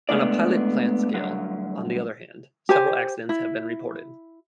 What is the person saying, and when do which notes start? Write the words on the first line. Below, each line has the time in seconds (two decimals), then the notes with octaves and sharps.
On a pilot plant scale, on the other hand, several accidents have been reported.
0.09 G#3 A3 B3 C4 D4 D5
1.14 D2 G2 D3 F#3
2.69 G4 C5 G#5
3.29 E4